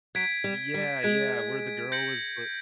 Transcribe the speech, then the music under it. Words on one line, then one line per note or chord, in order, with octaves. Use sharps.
yeah, yeah. Where the girl was th
F#3 G#6 B6 D7
G3
G3
G#3 G#6 B6 D7
G6 A#6 C#7 F#7